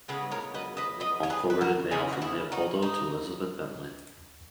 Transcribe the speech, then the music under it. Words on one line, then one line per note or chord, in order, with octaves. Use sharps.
Rose Beigel Arenal forwarded mail from Leopoldo to Elizabeth Bentley.
C#3 G#3 B3 G#4 B4
A#4 C#5
B4 D#5
B4 D#5
B4 D#5
C#5
G#4 B4
B4
F#4 A#4
C#3 G#3 C#4 E4 G#4
F#4
E4 G#4
D#4 F#4
D#4